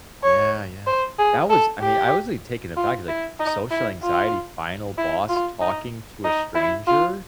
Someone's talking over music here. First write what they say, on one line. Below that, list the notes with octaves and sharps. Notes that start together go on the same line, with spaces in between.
Yeah, yeah. That was, I mean, I was like taken aback like, social anxiety, final boss talking to a stranger
C#5
C5
G#4
A4
G4
F4
E4
D#4
E4
F4
E4
F4
D#4
D#4
E4
F4